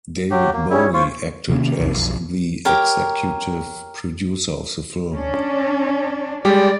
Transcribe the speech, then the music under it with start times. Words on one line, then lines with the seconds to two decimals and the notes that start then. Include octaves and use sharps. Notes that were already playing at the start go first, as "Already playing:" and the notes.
David Bowie acted as the executive producer of the film.
0.31 F#3 G4
0.53 A#3
0.70 G3 C#4 E4 G#4
0.93 F4 C5 C#6
1.50 C3 D#3 A#3 C#4
1.80 C2 F2 C3 D#3
1.94 B1 F2
2.65 G4 A#4 C#5
5.14 C#4 D4
6.45 G3 G#3 G4 D5